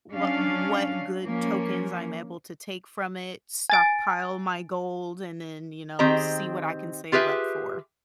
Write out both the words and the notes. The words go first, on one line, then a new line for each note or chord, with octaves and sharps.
what what good tokens I'm able to take from it, stockpile my gold and then, you know, see what I can save up for.
F#3 C#4 D4 F5
F3 A#3 C#4
G#5 A6 D7
D#3 C4 G4 G#4 D#5 A#5
F4 G4 G#4 B4 E5